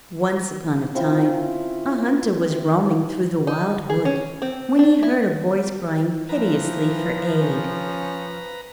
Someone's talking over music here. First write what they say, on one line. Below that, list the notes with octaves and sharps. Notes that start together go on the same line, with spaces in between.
Once upon a time a hunter was roaming through the wildwood when he heard a voice crying piteously for aid.
C4 C#4 E4 F4
D#4
G#4
C#4
C4
D4
E4
E3 F3 B4 A#5
C#4